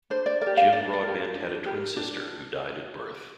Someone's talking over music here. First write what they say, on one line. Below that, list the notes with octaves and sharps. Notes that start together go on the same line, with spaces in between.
Jim Broadbent had a twin sister who died at birth.
D4 C5
D5
A#4 D5
G4
F5
D4 D5
D5
G4 A#4
D4
G4 A#4
D4